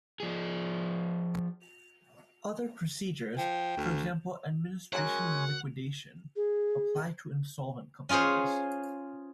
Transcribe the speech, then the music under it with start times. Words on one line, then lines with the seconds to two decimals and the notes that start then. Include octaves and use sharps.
Other procedures, for example administration and liquidation, apply to insolvent companies.
0.20 F3 G#4
3.38 F3 G5
3.78 D2
4.93 F#3 G#3 C#4 A#4 F#5 G#5
6.36 G#4
8.09 C#4 F4 G#4 C5 C#5